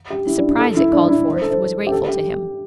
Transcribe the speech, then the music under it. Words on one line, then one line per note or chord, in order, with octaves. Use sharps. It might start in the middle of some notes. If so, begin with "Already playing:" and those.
The surprise it called forth was grateful to him.
G4
E4
D4
E4
A4
E4
D4
E4
C5
A4
C5
G4
A4
G4